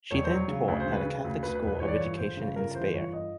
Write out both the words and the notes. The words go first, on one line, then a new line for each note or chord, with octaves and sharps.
She then taught at a Catholic school of education in Speyer.
E1 C#5
C5
F#3 C#5
C#3
D2
C5
C#3
B4
C#3
D2
D2 B4
B4
E1
B4
E3 C#5
D5
G1 C#5
G1 C5
C#3
G1 A#4
E3 C5
G1 C#5
G1 D#5